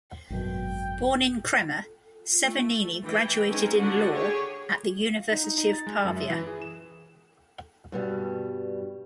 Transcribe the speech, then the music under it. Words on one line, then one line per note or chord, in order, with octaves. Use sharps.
Born in Crema, Severgnini graduated in law at the University of Pavia.
G#1 F#2 B2 G5
A3
E3 G5
G#3 C4 C#4 D#4
D3 D4 F#4 F#5
G4 G#4 C#5
D#4
D#4
D#4
A6
G#3
F#2
E5
E3
G#4
E7
G2 B2 G3